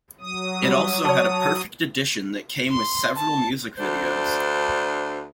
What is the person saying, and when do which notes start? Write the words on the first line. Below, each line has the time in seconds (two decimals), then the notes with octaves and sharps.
It also had a "Perfect Edition" that came with several music videos.
0.21 F#3 D#6
0.62 G3
1.05 C#5 A5
2.71 C6
3.16 A5
3.78 D2 D4 C5